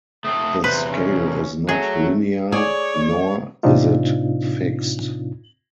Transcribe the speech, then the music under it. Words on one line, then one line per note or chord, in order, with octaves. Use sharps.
The scale is not linear, nor is it fixed.
A3 C4 A4 D#6
E2 C3 B4 C5
C#4
F#3 A3 G#4
G#4 C#5 D5
A2 C3 C4 D4 D#4 F4